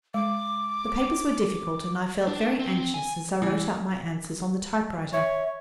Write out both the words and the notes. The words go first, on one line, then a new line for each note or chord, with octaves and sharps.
The papers were difficult, and I felt very anxious as I wrote out my answers on the typewriter.
G#3 D6
D4
C4
G#5
E3
C#5 E5